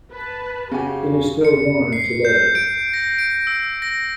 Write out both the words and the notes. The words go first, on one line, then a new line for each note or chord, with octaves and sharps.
It is still worn today.
B4 A5
C#3 F#4 G4 G#5
C#7
C7
G6
D7
A#6
D7
E6
A#6